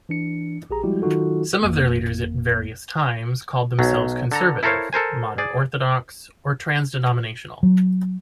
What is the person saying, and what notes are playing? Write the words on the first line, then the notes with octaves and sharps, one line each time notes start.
Some of their leaders at various times called themselves Conservative, Modern Orthodox or trans-denominational.
E3 D4 C#7
A#1 G4 G#4 A#5
F3 G3 G#3 E4 F#4 G4
D#3 F#3 D#4 F4 F#4 A4
G#1 F2 A#3
B1 F#3
D3 A4 A#5
E4 A4 A#4 C5 C#5 F5
A4 A#4 C5 G#5
G#4 D5
F#3